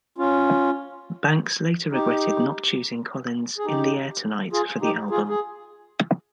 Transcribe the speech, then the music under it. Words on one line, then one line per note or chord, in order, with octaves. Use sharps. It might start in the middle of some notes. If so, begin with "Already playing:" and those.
Banks later regretted not choosing Collins' "In the Air Tonight" for the album.
C#4 F4
D#4 G4
G#4
D#4 G4
F4 G#4
D#4 G4
F4 G#4
G#4